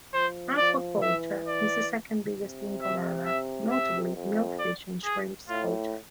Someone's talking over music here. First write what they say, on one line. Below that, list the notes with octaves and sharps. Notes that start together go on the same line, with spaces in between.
Aquaculture is the second biggest income earner, notably milkfish and shrimps culture.
F3 C5
F3 D5
E3 E5
D5
C3
E5
E5
E5
F2
D5
G#4
A2 F4